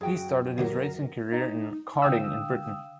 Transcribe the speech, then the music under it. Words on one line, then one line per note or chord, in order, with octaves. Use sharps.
He started his racing career in karting in Britain.
F#2 F#4 G#4 G5
D#2 A#2 F#3 A#4
D#4
D3 F5 G5 D#6 E6